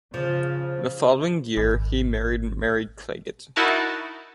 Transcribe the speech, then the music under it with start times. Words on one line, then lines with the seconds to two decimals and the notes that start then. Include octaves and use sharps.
The following year, he married Mary Clagett.
0.14 C#3 F3
1.57 G#1
3.56 D#4 E4 F#4 A#4 A5